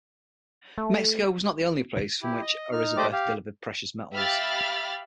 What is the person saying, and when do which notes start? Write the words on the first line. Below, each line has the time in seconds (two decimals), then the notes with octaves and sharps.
Mexico was not the only place from which "Orizaba" delivered precious metals.
0.78 A3
2.23 E4 G4
2.41 D#5
2.72 D#4 F6
2.97 A3 G4 C5 D5 D#5 D6
3.12 G4 F5
4.13 G4 E5 F5 B5 F6 A6